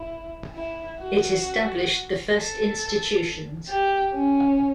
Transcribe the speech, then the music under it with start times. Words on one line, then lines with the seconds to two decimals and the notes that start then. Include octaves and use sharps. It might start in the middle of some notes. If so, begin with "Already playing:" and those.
It established the first institutions.
Already playing: E4
0.55 E4
1.00 F#4
2.35 A4
3.69 G4
4.14 C#4